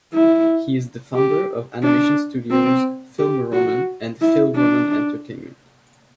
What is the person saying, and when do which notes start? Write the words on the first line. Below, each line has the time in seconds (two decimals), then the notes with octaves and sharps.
He is the founder of animation studios Film Roman and Phil Roman Entertainment.
0.14 E4
1.15 G4
1.83 D4
2.51 C4
3.19 G4
3.53 F#4
4.21 E4
4.56 D4